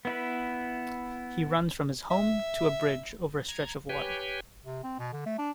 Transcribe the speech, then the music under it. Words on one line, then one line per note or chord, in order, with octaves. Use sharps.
He runs from his home to a bridge over a stretch of water.
B3 E4 B4
E5
A#5 G#6
G4 B4 C#5 G5 G#5
C3
C4
B2
D3
A3
D4